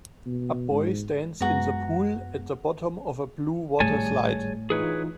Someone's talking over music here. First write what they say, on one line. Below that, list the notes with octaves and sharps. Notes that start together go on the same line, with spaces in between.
A boy stands in the pool at the bottom of a blue water slide.
B2
G#2
F#2 G#3 B3 F#4 A#5
G#1 A2 G3 G#4 C#5 G#5 A5
E3 D#4 F4 G#4 B4 C#5